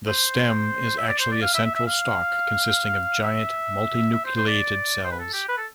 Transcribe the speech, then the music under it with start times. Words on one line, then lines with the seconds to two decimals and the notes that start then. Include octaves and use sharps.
The "stem" is actually a central stalk consisting of giant, multinucleated cells.
0.07 C5
0.97 E5
1.08 D5
1.19 C5
1.31 D5
1.41 F5
1.54 E5
1.64 E5
1.75 E5
1.87 F5
3.23 E5
4.13 E5
4.24 C5
4.35 C5
4.47 D5
5.04 C5
5.11 B4
5.19 A4
5.33 G4
5.48 B4
5.57 A4